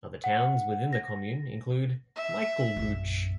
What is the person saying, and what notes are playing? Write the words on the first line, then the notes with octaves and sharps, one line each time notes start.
Other towns within the commune include Michelbouch.
F#5
A#6
E5
A#1 F#2